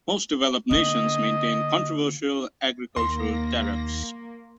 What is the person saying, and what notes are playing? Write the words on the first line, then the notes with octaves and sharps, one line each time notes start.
Most developed nations maintain controversial agricultural tariffs.
D3 A#3 D#5
D#2 A#3 C6 A#6